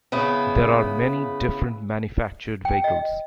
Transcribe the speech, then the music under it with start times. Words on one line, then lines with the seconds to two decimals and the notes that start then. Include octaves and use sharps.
There are many different manufactured vehicles.
0.12 C#3 B3 E4
2.65 G5
2.84 D#5